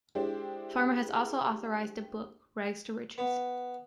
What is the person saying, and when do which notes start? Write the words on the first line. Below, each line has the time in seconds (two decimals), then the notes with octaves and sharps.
Farmer has also authored a book, Rags to Riches.
0.15 G#3 D4 E4 G4 C5
3.18 B3